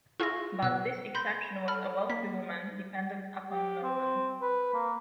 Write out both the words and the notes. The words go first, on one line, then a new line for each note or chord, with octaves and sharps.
But this exception is a wealthy woman, dependent upon no one.
E4 F4 G#4 C#6 A#6
B2 E6 F#6
B5 C6 G6
A4 B5 F6
A#3 B6
G4
C4
B4
A#3